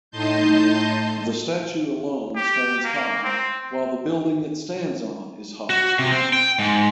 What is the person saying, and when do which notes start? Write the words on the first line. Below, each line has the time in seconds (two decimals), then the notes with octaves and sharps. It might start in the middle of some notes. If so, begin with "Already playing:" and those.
The statue alone stands high while the building it stands on is high.
0.11 A2 D#4 D#5 A5 C6 G6
2.35 G4
2.84 A#3
3.24 C4
5.70 F#4
5.99 C3
6.12 C4
6.33 G5
6.59 G#2